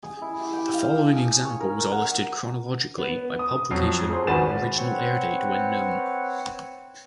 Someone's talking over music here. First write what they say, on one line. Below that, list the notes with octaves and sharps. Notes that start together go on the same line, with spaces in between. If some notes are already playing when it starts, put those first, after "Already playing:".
The following examples are listed chronologically by publication or original air date, when known.
G#4
E4
G4
G5
F5
A5
G#4
C#5
A#4
F#5
B3
D#6
F2 F#3 C7
G#4 C5
G#1 F#4 B4 G#5 A6 E7
C4 B4 C#5 F#5